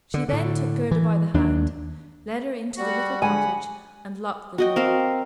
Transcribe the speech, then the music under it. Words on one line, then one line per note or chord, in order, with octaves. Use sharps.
She then took Gerda by the hand, led her into the little cottage, and locked the door.
D3
A2 D3
E3
D#2 D4
G3 F#4 F#5
D3 G#3 F#5 G#5 B5
F#4 D#5 G5
C4 A#4 F5